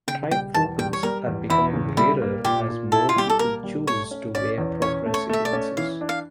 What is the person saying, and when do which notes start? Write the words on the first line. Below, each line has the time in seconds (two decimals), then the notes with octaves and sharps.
Trifocals are becoming rarer as more people choose to wear progressive lenses.
0.08 C#3 G5
0.31 G3 G5
0.54 E2 A5
0.79 G3 G5
0.93 C#5
1.03 G3 A#4
1.27 E2
1.50 E2 E4
1.73 C#3
1.97 G3 E4
2.22 A#3
2.45 A#2 G4
2.69 A#2
2.92 E4 A4
3.09 F4
3.16 G3 G4
3.30 A4
3.39 A#3 A#4
3.64 G3
3.87 A3 C#5
4.11 C#4
4.35 C#4 D5
4.58 E2
4.82 C#4 C#5
5.06 A3
5.14 C#5
5.29 A3 E5
5.45 D5
5.53 C#4
5.77 E3 F5
6.01 D4
6.09 F5